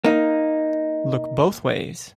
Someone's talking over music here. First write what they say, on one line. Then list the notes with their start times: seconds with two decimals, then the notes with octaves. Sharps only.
Look both ways.
0.04 A#3 D#4